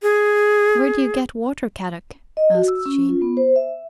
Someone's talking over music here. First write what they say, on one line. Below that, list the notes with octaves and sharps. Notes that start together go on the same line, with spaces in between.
"Where do you get water, Kadok?" asked Jean.
G#4
D#5
F#4
E6
C#4
F4
B3
C5
E5